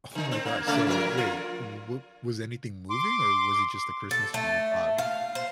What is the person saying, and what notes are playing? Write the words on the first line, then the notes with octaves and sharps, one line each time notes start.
Oh my gosh, so wait w was anything moving or was it just the Christmas tree you thought w
D3
C4
A#3
C#3 A3 D5
F3 A#4
F4
C6 D6
A4
A3
F5
C5